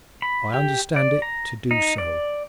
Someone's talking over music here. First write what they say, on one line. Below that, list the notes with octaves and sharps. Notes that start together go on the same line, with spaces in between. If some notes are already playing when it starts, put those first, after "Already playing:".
"I understand it to do so."
B5
G4
D5
A#5
D#4
D5